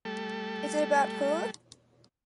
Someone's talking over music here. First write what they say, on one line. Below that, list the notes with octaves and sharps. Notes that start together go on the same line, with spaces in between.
Is it about her?
G3 A3 A4